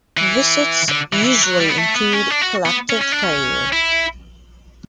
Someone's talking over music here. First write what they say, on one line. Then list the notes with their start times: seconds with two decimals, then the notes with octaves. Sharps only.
Visits usually include collective prayer.
0.17 E3
0.89 D3
1.13 E3
1.24 E3
1.42 F#3
1.60 G3
1.69 B3
1.78 A3
1.95 B3
2.13 C#4
2.30 D4
2.42 F#4
2.65 B3
2.90 C#4
3.01 C#4
3.12 D4
3.24 C#4
3.73 E4